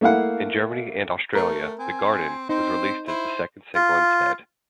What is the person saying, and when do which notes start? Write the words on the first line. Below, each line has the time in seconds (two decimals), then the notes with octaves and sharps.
In Germany and Australia, "The Garden" was released as the second single instead.
0.01 A3 A#3 E4 F5 F#5
1.35 A3 A#4
1.79 C4 G#5
2.49 C4 D#4 C5
3.08 E4 C5
3.75 F4